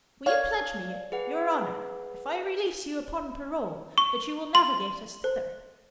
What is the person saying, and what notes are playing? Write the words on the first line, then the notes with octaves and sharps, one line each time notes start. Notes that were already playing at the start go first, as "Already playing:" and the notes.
Will you pledge me your honour, if I release you upon parole, that you will navigate us thither?
C#5 D5 F5 G#6
G#4 B4 F#5
C#6
C6
C5